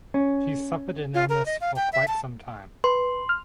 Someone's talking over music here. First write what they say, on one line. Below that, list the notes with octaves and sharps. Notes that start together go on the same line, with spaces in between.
She suffered an illness for quite some time.
C#4
F4
A#4
D#5
F5
G5
E5
A5
B4 C6
F6